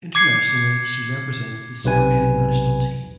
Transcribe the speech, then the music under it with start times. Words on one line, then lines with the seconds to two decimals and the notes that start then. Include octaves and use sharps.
Internationally she represents the Serbian national team.
0.15 D6 G#6 C7 C#7
1.84 B1 C3 B4 G#5